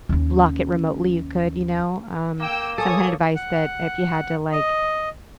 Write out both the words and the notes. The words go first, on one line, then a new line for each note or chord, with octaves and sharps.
lock it remotely, you could, you know, um, some kinda device that if you had to, like,
D#2 C#4
A#3 G5 E6
A4 C#5 G#5 D#6
F#5
D#5